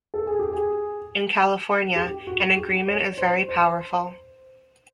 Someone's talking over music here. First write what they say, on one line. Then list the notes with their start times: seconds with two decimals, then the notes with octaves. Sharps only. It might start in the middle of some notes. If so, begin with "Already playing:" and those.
In California, an agreement is very powerful.
0.14 A4
0.26 G#4
0.39 G4
0.53 G#4
1.96 G4
2.27 F#4
2.57 G4
2.88 C#5
3.18 C5
3.48 C5